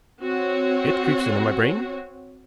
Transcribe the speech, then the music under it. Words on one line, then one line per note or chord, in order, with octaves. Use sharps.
"It creeps into my brain."
C4 F#4 C#5